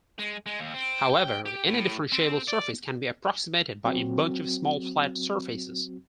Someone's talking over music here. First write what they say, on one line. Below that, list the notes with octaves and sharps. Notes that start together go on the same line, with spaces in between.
However, any differentiable surface can be approximated by a bunch of small flat surfaces.
G#3
G#3
D#2
C4
G5
G4
A2
C4
D5
F#3 C4 F#4